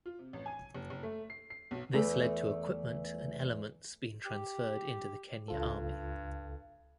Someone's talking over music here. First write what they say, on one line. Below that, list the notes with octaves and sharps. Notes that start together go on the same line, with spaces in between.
This led to equipment and elements being transferred into the Kenya Army.
F4
C3
A1
G#5
F#1
F#1
A3
C7
C7
B1
E2 A3
G4
C#2 G2 F4 A4